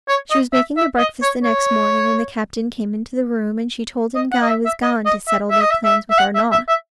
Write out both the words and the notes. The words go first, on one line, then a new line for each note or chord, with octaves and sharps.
She was making the breakfast the next morning, when the captain came into the room, and she told him Guy was gone to settle their plans with Arnaud.
C#5
D#5
E5
E5
D#5
C#5
C#5
D#5
F#5
D#5
E5
E5
D#5
D#5
E5
E5
D#5
E5
E5
E5
F#5
E5
E5
E5